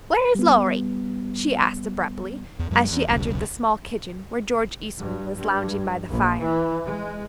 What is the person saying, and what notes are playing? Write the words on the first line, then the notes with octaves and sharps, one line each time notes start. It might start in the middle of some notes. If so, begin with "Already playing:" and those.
"Where is Lawrie?" she asked abruptly; as she entered the small kitchen where George Eastman was lounging by the fire.
G3 B3
E2
F#2 F#3 G#3
E2
D#1 B1 C#3
G2
G2
A#1
E3
G#3